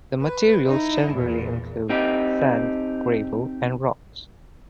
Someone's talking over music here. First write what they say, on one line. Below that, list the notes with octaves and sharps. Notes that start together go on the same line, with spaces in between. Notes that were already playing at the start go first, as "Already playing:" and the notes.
The materials generally include: sand, gravel, and rocks.
B4
D#4 E4
E2 A#2
C4 D#4 G4